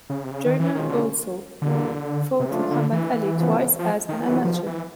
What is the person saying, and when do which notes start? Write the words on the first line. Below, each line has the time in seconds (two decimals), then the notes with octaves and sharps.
Joiner also fought Muhammad Ali twice as an amateur.
0.10 C#3
0.24 C3
0.31 C#3
0.46 D#3
0.60 E3
0.75 B2 D#3 G#3 C#4 F4
0.89 D3
1.62 E2 B2 D3 G3 A#3
2.40 C3
2.49 C#3 F3 A3 D4 F4
2.71 D3
2.92 E3
3.37 C#3 F3 G#3 B3
3.79 F3
4.09 D#3
4.23 F2 C3 D#3 E3 F#3 B3
4.45 F3
4.66 E3